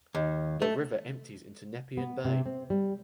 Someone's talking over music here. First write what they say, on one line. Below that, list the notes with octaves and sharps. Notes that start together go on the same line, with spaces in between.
The river empties into Nepean Bay.
D#2
A3
B3
C3
C4
G3